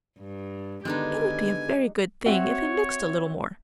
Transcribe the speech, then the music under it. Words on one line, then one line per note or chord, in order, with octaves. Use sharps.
It would be a very good thing if they mixed a little more.'
G2
D3 D#3 G#3 B3 D4 D#4 G4 G#5
C4 F#4 C#5 E5